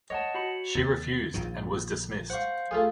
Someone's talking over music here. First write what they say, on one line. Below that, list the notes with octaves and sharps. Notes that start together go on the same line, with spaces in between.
She refused and was dismissed.
C#5 D#5 F#5 A5
F#4 B5 C#7
D#2 A6
A#1 A#2 D#3
C5 F5 F#5 C#6
A3 F4 G#4